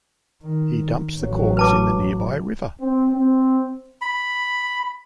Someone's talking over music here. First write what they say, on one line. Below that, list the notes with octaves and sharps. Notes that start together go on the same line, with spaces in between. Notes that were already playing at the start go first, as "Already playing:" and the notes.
He dumps the corpse in the nearby river.
D#3
A1 F#3
B4 A5 D6
C4
C4
B5